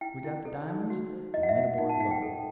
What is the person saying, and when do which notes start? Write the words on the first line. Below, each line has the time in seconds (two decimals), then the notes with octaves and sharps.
We got the di'monds and went aboard the boat.
0.01 E4 G5
0.24 E4
0.45 A4
0.68 D#4
0.90 F#4
1.13 C5
1.34 E4 D#5
1.43 F#5
1.49 E5
1.55 E4
1.63 F#5
1.78 D#4 F#5
1.89 A5
2.00 D#4 F#5
2.11 G5
2.22 A4